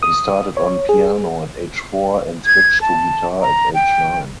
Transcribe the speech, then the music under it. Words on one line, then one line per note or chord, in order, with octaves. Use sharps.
He started on piano at age four and switched to guitar at age nine.
D#6
C#5
G#4
G#6
A5
A#5
G5